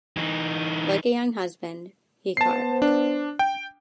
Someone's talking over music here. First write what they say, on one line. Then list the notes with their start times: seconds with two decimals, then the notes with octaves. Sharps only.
Like a young husband, he carved.
0.17 E3 D#4
2.37 B3 C5 A5 C7
2.82 D4
3.39 G5